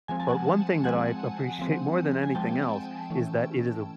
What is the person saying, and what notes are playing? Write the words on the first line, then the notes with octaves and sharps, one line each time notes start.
But one thing that I appreciate more than anything else is that it is a
F3 G#3 C4 G#5
A5
F#5 G#5
F3 G#3 C4 F#5 G#5
F3 G#3 C4
G#5
F3 G#3 C4 G5 A5
E3 A3 C#4